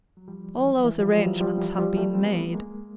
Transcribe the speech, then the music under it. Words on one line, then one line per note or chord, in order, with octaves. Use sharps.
'All those arrangements have been made.'
F#3
F3 G3
E3 F#3
E3
F3
F3 G3
E3 F#3
F3 G3
E3 F#3
F3 G3
G3 A3
C4
A3 B3
G#3 A#3